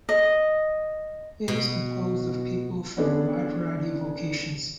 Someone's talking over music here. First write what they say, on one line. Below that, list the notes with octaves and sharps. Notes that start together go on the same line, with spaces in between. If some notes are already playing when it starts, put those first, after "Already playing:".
It is composed of people from a wide variety of vocations.
D#5
B2
B3 C#4 D4 G#4 A4